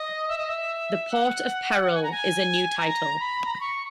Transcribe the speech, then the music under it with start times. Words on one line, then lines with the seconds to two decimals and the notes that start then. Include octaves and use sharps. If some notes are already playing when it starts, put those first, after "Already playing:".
"The Port of Peril" is a new title.
Already playing: D#5
0.28 E5
0.38 D#5
0.48 E5
1.11 F#5
1.94 G#5
2.03 A#5
2.12 G#5
2.78 A#5
3.20 B5
3.45 A#5
3.54 B5
3.61 C#6